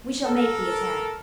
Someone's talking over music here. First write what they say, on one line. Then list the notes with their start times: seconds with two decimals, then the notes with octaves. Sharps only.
We shall make the attempt.
0.24 A4 A#4